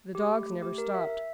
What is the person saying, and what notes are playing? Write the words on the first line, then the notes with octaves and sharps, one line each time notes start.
The dogs never stopped.
G4
A3
A3
G4
A#4
E5
E5